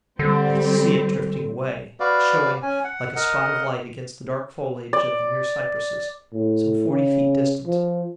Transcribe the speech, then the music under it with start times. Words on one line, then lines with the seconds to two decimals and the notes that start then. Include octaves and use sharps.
I see it drifting away, showing, like a spot of light, against the dark foliage of the near cypresses, some forty feet distant.
0.19 D3 G3 C4
2.00 F#4 B4 D5 F5
2.62 C#4 G#5
2.84 F#5
3.16 A#4 D#5 F#5
4.93 D5
6.33 A2
6.89 C#3
7.67 F3